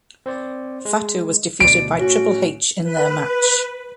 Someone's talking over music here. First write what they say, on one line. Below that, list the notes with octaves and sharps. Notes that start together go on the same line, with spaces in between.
Fatu was defeated by Triple H in their match.
C4 C5 D5
G#3
D2 B2 D5 D7
A2 C#4 F#4
B4